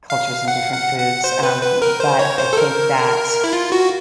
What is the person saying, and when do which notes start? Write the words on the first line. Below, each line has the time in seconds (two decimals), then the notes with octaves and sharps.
cultures and different foods, um, but I think that
0.10 F5
0.48 F#5
0.73 F#5
0.98 F#5
1.24 C5
1.43 B4
1.62 B4
1.82 A#4
2.00 C5
2.19 C#5
2.38 C5
2.53 A4
2.57 A#4
3.44 E4
3.53 F4
3.72 F#4